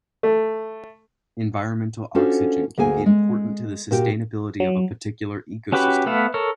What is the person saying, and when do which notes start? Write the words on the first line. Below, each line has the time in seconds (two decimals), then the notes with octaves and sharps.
Environmental oxygenation can be important to the sustainability of a particular ecosystem.
0.23 A3
2.15 C#4 D4 F4 F#4 A4 C5
2.78 D2 A#3 G#4 G#5
3.06 G#3
3.91 A#2 F#4 G4 G5
4.60 F#3
5.72 C#4 F#4 G4 B4 B5
6.06 A3 B3 B4 E5 F5
6.34 A4 A#4 C#5